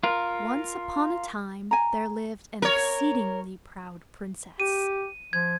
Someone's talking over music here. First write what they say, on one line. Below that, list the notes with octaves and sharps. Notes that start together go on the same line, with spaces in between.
Once upon a time there lived an exceedingly proud Princess.
F4 A#4
G#5 A#5
A#4 C#5
G4 D#7
F3 G#6